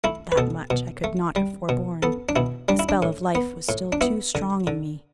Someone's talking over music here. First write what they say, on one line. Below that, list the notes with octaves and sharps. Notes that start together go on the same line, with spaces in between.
That much I could not have forborne; the spell of life was still too strong in me.
A3 E4
B4
B2 A4
B2
A3
G3
B2
B3 A4
D4
B2 E4
G3 D4
E4
D4
A2
B3
A2
D4
B3 E4
D3
D3